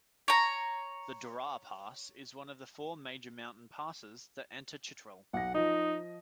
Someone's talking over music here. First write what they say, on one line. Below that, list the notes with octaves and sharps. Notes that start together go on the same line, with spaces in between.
The Dorah Pass is one of the four major mountain passes that enter Chitral.
C#5 A#5
B1 F#5 A#6
F3 D#4 D#5